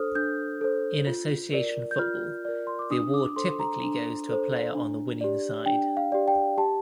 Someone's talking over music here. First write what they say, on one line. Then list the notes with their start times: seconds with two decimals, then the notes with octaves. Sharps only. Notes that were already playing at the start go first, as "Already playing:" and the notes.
In association football, the award typically goes to a player on the winning side.
Already playing: D4 A4 C5 D#6 F6
0.15 D4 G6
0.61 A4 C5
1.07 F4
1.52 A#4 D5
1.91 G6
1.99 F4 F6
2.45 A#4 D5
2.67 C6
2.79 D6
2.90 D4 D#6
3.14 D6
3.36 A4 C5 C6
3.60 A#5
3.83 D4
4.29 A4 C5
4.75 D4
5.21 G4 D5
5.66 D4 G5
5.97 F5
6.12 G4 D5
6.28 G5
6.58 G4 A5